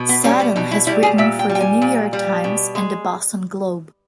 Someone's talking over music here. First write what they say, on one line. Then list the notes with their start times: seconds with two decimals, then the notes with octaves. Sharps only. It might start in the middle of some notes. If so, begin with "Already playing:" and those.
Seddon has written for the New York Times and the Boston Globe.
Already playing: B2
0.09 B3
0.24 G3 C#4
0.40 B3
0.56 B2 D#4
0.71 E4
0.87 G3 E4
1.03 G#4
1.18 A#2 E5
1.39 G5
1.49 G3
1.55 G5
1.60 G#5
1.82 A#2
2.13 G3
2.44 B2
2.75 G#3